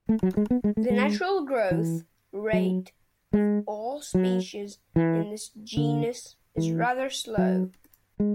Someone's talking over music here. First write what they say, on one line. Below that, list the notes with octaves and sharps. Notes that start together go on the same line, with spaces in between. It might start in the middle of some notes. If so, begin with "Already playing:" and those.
The natural growth rate of all species in this genus is rather slow.
A3
F#3
G#3
B3
G#3
A3
G#3
E3
F#3
G#3
F#3
E3
D3
E3
F#3
G#3